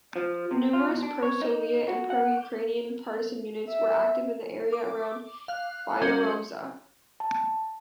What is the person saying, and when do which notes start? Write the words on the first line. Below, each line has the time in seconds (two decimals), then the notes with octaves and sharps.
Numerous pro-Soviet and pro-Ukrainian partisan units were active in the area around Byaroza.
0.16 F3
0.51 C3
0.73 F4
0.89 B2
1.03 D4
1.23 C#5
1.42 D#4
1.88 F#4
2.10 F#5
3.69 E5
4.73 D6
5.48 F5 F#6
6.01 G3 C#4 F#4 C5 D#5
7.20 A5